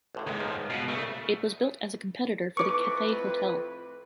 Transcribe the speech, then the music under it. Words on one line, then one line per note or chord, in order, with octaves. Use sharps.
It was built as a competitor for the Cathay Hotel.
A1 A2 D3
D#2 G#2 G#3
C#2 F3
B2 F4 F#4 B4
A#1 C#3 A3
F2 A2 B4 C#6 D6